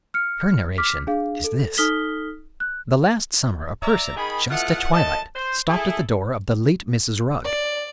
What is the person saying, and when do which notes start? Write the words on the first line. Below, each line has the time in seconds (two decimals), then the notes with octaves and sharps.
Her narration is this: The last summer a person, just at twilight, stopped at the door of the late Mrs. Rugg.
0.14 F6 C#7
0.78 D6 F6 B6
1.07 D4 G#4 F5
1.44 A4
1.77 D#4 A4 D#6 F6 B6 G7
2.60 F#6
3.82 D5 E5 A#5
4.17 D#3 G#4 B5
4.50 B2 A3 E4 F4 F#5
4.93 F#2 A3 D#5 A5
5.36 C5
5.68 E4 G#4 A4
7.44 D5